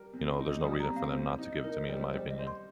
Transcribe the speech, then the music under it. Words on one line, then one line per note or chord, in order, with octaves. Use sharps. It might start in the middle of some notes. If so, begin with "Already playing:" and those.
you know, there's no reason for them not to give it to me in my opinion.
Already playing: G3 A#4
C3
D#4
G3 D#6
A#5
C3
F5
C3 C5
D#4
D#4 A#4
C5
G3
C5
G3 C5
D#5
C5
C6